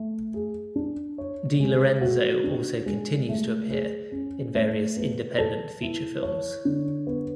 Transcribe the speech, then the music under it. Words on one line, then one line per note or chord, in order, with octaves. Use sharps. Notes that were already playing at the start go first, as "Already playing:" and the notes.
DeLorenzo also continues to appear in various independent feature films.
Already playing: A3
G#4
D4
C#5
G#3
F#4
D4
G#3
A3
G#4
C#4
A3
B3
A4
E4
C#5
D3
B3